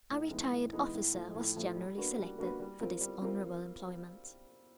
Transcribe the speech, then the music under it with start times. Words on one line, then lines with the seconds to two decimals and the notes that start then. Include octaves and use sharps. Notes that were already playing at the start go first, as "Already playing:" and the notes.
A retired officer was generally selected for this honourable employment.
0.10 A2
0.31 E3 G#3 B3 D#4
0.52 A2
0.73 E3 G#3 B3 D#4
0.94 A2
1.13 F3 A3
1.35 A2
1.56 F3 A3
1.76 G3
1.97 A#3 D4 F#4 B4
2.18 G3
2.39 A#3 D4 F#4 B4
2.60 G3
2.81 C4 F4 A#4
3.01 G3
3.22 C4 F4 A#4